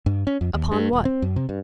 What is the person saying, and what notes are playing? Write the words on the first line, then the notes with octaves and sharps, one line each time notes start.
"Upon what?"
G2
C#4
F2
D#2
G2
D#1
C4
F#2
C3
G2